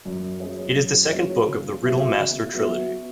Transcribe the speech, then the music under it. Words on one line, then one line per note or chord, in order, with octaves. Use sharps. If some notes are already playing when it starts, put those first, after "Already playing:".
It is the second book of the Riddle Master Trilogy.
F#2
F#3 C#4 G#4 C#5
F#2
F#3 C#4 G#4 C#5
C#3
F#3 B3 F#4 E5
C#3
F#3 B3 F#4 E5